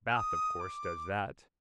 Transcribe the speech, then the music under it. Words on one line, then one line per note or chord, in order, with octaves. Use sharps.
Bath of course does that.
F6
D#6
D6